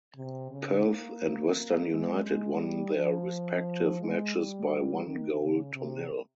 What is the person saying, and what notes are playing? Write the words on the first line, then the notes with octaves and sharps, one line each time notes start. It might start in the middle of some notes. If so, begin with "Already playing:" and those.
Perth and Western United won their respective matches by one goal to nil.
C3
C#3
A#3
G#3
G#3
G3
F3
G#3
G3
D#3
C#3
C3